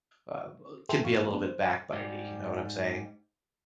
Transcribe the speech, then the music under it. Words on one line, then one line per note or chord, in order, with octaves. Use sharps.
um, uh can be a little bit backbitey, you know what I'm saying?
G#4 A4 B4 E5 G5 C6
C2 G2 E3 A#3 F5 C#6
A3 B3 C#4 D4
C5
G#2 G3